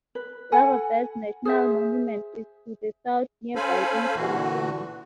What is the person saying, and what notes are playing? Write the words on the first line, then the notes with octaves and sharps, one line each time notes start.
Lava Beds National Monument is to the south, nearby in California.
B4
A4 F#5 G#5 B5
G#4 C5 E5
C#4 A4 C5 F5 G#5 B5
A#2 D3 E3 F#4